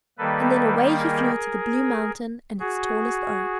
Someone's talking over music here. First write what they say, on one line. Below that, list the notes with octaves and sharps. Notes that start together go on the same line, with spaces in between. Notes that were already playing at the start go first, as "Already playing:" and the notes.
And then away he flew to the blue mountain and its tallest oak.
D#3 G3 A#3 A4 B4
G#4 A#4
F#4 G#4